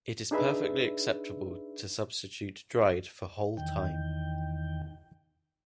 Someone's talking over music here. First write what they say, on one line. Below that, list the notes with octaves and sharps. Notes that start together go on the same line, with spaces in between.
It is perfectly acceptable to substitute dried for whole thyme.
D4 D#4 G#4 B4 E5 B5
E2 D#3 G5